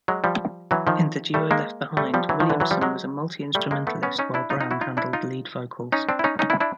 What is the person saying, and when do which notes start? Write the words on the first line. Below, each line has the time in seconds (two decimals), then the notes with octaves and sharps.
In the duo left behind, Williamson was a multi-instrumentalist while Browne handled lead vocals.
0.08 F#3 G#3
0.24 F3 G3
0.71 E3 F#3
0.87 D#3 F3
1.34 G3 A3
1.51 G#3 A#3
1.97 G3 A3
2.14 F3 G3
2.29 E3 F#3
2.40 D#3 F3
2.50 D3 E3
2.60 E3 F#3
2.71 F3 G3
2.82 F#3 G#3
3.55 G3 A3
3.71 G#3 A#3
3.87 A3 B3
4.03 B3 C#4
4.19 C#4 D#4
4.34 D4 E4
4.50 D#4 F4
4.61 D#4 F4
4.71 E4 F#4
4.81 D#4 F4
4.97 D4 E4
5.13 D#4 F4
5.92 C#4 D#4
6.09 C4 D4
6.19 E4
6.24 C#4 D#4
6.39 C#4 D#4
6.50 D4 E4
6.60 D4 E4